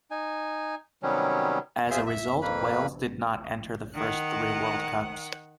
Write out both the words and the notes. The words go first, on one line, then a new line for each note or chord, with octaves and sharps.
As a result, Wales did not enter the first three World Cups.
D#4 G#5
C3 D#3 F#3 G3 B3 C#4
F4 G#4 C5 E5 C6
E5
F2 A#3 B4 B5
D#3 F#5